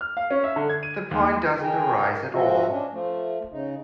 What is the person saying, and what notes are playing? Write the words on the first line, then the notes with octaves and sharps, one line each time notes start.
The point doesn't arise at all.
F6
F5
C#4
E5
D3
G#6
D#7
D#2
D#4
G#4 A#4 G5
F3 F#4 D#5 E5
C#4 D4
F3 A3
C#3 D#4